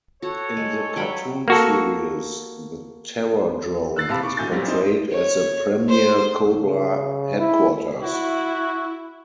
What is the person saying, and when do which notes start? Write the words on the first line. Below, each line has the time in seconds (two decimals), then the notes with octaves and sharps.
In the cartoon series, the Terror Drome is portrayed as the premiere Cobra headquarters.
0.22 F#4 A4 C#5
0.57 G#3
0.96 F#3 G5 B5
1.48 A#3 F#4 A4
3.96 E6 F#6 A6 C7
4.08 A1 C3 F5 A5 B5
4.23 C#6 D6
4.37 A1 D3 F#4 G#5 G6 A6
4.51 A#2 F#3 G3 A#3 C4 G4
4.66 C4 D#4 C5
5.11 C#5
5.89 C5
6.58 C#3
7.39 E4
8.02 E4 F#4